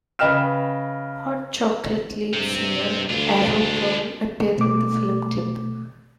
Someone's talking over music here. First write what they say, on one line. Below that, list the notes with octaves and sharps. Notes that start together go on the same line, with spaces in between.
Hot Chocolate lead singer Errol Brown appeared in the film clip.
C#3 B4 D#5 G5 F6 E7
G2 C3 C4
D2 D4 F4
B2 A3 D6